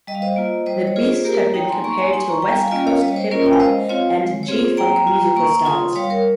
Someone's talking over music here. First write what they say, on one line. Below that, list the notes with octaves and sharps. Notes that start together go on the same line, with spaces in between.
The beats have been compared to West Coast hip hop and G-funk musical styles.
G3 D#5
F5
C5 D#5
A#3 F4
G3 C5 D#5
C#5
A#3 F4 G#4 C5
A#3 G4 A#4
D#4 G5 A#5
G#5 C6
A#3 A#5 C#6
G#5 C6
D#4 G#5 C6
A#5 C#6
G3 G5 A#5
F5 G#5
A#3 C#4 F4 D#5 G5
C#5 F5
G3 D#5
C#5
C5 D#5
A#3 C#4 F4 A#4 C#5
G5
F5
G#3 C5 D#5
C4 F4 C#5 F5
G#3
C#5
C4 F4 G#4 C5
A#3 G5 A#5
F4
A#3 A#5 C#6
F4 C6 D#6
G3 C#5 F5
A#4 C#5